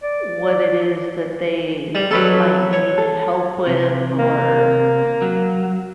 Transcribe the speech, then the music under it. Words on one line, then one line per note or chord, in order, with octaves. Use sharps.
what it is that they might need help with, or,
D5
G3
F#3 C#4 A4 B4 D#5
F#4
C#5
A4
C3
A#3
F#3